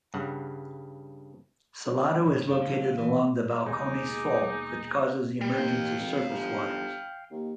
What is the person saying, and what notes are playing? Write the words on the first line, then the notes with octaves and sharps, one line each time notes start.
Salado is located along the Balcones Fault, which causes the emergence of surface waters.
G2 C#3 F#5
B1 G2
F#2 D4 D#4 F5
D3
C#2 D3
E3
D#2 B2 G#3 D#4 G#4 D6
G3
D#2 F5 G5
G#1
G1
D#2